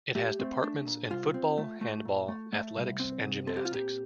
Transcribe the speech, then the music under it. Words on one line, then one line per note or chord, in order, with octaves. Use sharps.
It has departments in football, handball, athletics and gymnastics.
A3 G4
A3 C4
A3 D4
A#2
C2 F4
C4
A3
A3
A#2
A3
A3
C2
C4
C2
C4 A4
G4
F4
A#2 G4